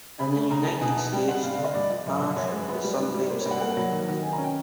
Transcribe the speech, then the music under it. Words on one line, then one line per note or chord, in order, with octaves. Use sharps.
In the United States, hash is sometimes served with biscuits.
C#3 B5
A3
C#3 A#5
F3 A5
B2 G#5
A5
D#4
G3 G5
C4 F#5
G2 F5
F5
D3
D#5
G2 D5
F3
F#2
F#2
F#2 C#5
C5
G#3
B4
B3 B4
G3
G#2
G3
A#3 C5
C#5
G2
F#5
A#3 F#5
F#3
D#3
D#3
D#3 G#5
A#5
C#4
G5